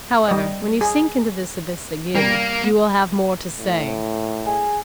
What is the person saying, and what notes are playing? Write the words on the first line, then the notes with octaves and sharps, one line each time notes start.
However, when you sink into this abyss again, you will have more to say.
G3 D#5
G#4
G3 A#3
A2
G#4